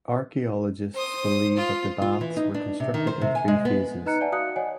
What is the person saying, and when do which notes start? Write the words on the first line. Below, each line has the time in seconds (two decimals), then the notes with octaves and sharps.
Archaeologists believe that the baths were constructed in three phases.
0.94 C5 D#6
1.57 F4
2.02 F4
2.21 E3
2.37 D#4
2.54 D4
2.80 C3
2.94 D#3
3.07 C5
3.21 C3
3.35 G#5
3.48 G#3
3.65 B3
4.06 D#4 B4 D#5 A#5 F#6 C#7
4.21 D5 E5 F#5 G#5 A5
4.32 F#4 D5 F5 D#6 F#6 C#7
4.56 C#5 D#5 F#5 G#5